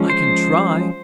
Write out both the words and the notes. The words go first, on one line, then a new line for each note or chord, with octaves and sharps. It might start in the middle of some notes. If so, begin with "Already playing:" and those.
"I can try."
Already playing: F3 G#3 C#4
C5